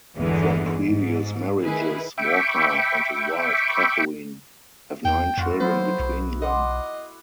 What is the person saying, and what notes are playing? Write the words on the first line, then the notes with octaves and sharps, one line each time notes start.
From previous marriages, Walker and his wife, Catherine, have nine children between them.
G1 E2 D3 E3 G#3
G#2
D#3 E4 G#4 B4
E5 G5 B5 C#6 D6
E2 G5
F2 A2 F4 F#4
F#3 B3 E4 C5
B1
D#5 F#5 C6 D6